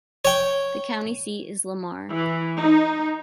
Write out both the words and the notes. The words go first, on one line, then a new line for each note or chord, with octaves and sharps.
The county seat is Lamar.
C#5 G5
E3
D#4